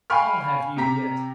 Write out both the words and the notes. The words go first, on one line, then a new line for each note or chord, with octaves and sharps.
"I'll have you yet."
F5 G5 G#5 B5 C#6 F6
C3 G4 A#5 B6